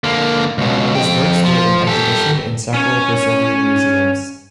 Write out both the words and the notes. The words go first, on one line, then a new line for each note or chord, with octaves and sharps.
His works are in exhibition in several Brazilian museums.
D3 A#3
C#2 B2
F2 G5
F3
G4 A4
C#4 C#5